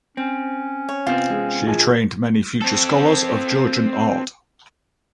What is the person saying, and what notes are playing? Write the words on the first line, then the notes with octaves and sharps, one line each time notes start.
She trained many future scholars of Georgian art.
C4 C#4
C#5
C3 B3 C4 F4
G#3
A#1 F3 G#4 G#5
C4 A4